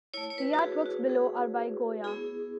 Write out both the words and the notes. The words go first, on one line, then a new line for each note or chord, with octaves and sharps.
The artworks below are by Goya.
A3 E4 C#5
C#5
B4
F#4
G#4
F#4
G#4
B3 E4 G#4